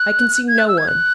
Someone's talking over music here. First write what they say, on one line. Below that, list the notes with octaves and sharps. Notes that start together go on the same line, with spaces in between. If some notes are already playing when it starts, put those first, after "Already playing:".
I can see no one.
Already playing: F#6
G#6
F#6
E6
G#6
F#6